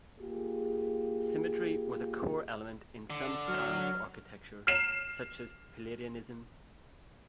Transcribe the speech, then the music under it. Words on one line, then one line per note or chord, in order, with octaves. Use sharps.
Symmetry was a core element in some styles of architecture, such as Palladianism.
A#3 F4 G4 G#4
D3
F#3 F6
F6 C7 E7